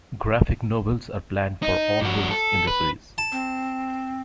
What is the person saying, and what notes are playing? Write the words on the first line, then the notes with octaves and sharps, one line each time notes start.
Graphic novels are planned for all books in the series.
D#4
G2 F#4
A4
B4
A5
C4